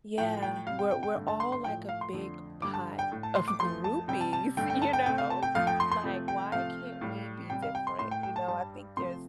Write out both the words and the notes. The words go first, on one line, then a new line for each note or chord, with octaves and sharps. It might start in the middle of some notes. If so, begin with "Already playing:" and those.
Yeah, we're we're all like a big pot of groupies, you know? Like, why can't we be different, you know, I think there's
A2 F3 A3 G5
G5
C3 G3 F5
G5
G5
G5
G2 D3 A3
A5
C6
C6
A2 F3 A3 G5
F5
C6
F2 D3 A3
G2 D3 G3 D6
A5
G5
A2 A3
A5
C6
D6
F2 F3 A3 C6
A5
C3 G3 G5
A5
A5
G2 D3 A3 G5
G5
A5
G5
C3 A3 G5
F5
A5
G5
F2 F3 A3 F5
G5
C6
C6
C3 F3 A3
G5
C3 F3 A3 F5
A2 G3
C3 G3 G5
F5
G5
C6
A2 A3 C6
G5
G5
A5
G2 G3 A5
C3 F3 A3 C6